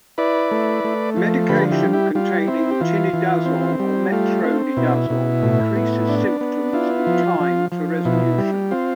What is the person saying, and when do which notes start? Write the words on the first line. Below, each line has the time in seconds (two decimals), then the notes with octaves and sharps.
Medication containing tinidazole or metronidazole decreases symptoms and time to resolution.
0.18 E4 B4 D5
0.51 A3
0.84 A3
1.17 F3
1.49 D3 G4 B4
1.71 E4 G4
1.83 G3
1.93 E4 G4
2.15 G3 F4
2.47 C4 E4
2.71 G4
2.80 E3 F4
3.14 E3
3.46 C4
3.80 G3
4.12 A3 F4
4.45 C4
4.77 B2 E4
5.10 B2
5.43 A2
5.76 B3
6.09 D4
6.41 B3
6.73 E4 F4
7.07 F3
7.40 F3
7.72 F3
8.05 B2 E4
8.38 G3
8.71 C4 F4